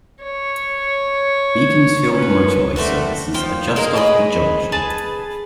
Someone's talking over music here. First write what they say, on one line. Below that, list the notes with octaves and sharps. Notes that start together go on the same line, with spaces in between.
Beaconsfield motorway services are just off the junction.
C#5
C#4 B4
G3 A3 C4 F#4
F3 G5
G#3 A#3 A#4
G#4 B4 D#5
G#4 B4 A5